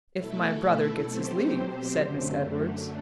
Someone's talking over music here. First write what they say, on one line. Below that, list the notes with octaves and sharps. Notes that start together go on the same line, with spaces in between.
"If my brother gets his leave," said Miss Edwards.
B2 A3 E4 A4
B2 F#3 C4 G4 C5
F#2 D3 A3